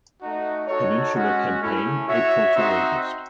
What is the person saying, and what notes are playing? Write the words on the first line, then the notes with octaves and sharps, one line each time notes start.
Peninsula Campaign April to August.
A3 D#4 F#4
D#4 F#4 A4 C#5
G#3 C#4 F#4
A3 C#4 E4 G#4
F#4 C#5 E5
C4 D#4 F#4 C5 E5